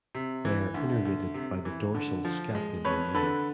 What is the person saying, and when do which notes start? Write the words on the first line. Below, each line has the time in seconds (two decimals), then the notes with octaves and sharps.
They are innervated by the dorsal scapular nerve.
0.15 C3
0.45 E3
0.74 D2
1.05 D2
1.34 C3
1.65 E3
1.95 D3
2.25 F3
2.55 G#3
2.85 F2 B4 C#5
3.15 D3 A4 B4